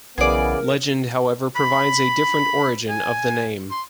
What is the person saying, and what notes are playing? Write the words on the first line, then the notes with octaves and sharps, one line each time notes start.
Legend, however, provides a different origin of the name.
B1 C#3 E3 B3 G#4 A#4 D5
B5
G#5
C6